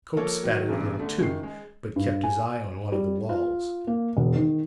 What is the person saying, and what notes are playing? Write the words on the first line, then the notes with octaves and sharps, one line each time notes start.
Cope spatted a little too, but kept his eye on one of the walls.
F3 A#3 A4 A#4 C#5
D#3 F#3
E1 A1 G2
D3 A3
F#1 D#3 C7
G#3
G2
G#5
G3
F4
A#3
E1
D#3